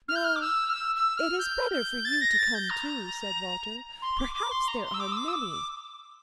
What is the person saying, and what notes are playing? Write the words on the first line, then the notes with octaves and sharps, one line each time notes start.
'No, it is better for you to come too,' said Walter. 'Perhaps there are many.'
F6
G6
F6
D6
E6
F6
E6
E6
F6
G6
G6
A6
A#6
A6
G6
A#5
C6
D6
D6
C6
A#5
C6
E6
D6
E6
D6
E6
D6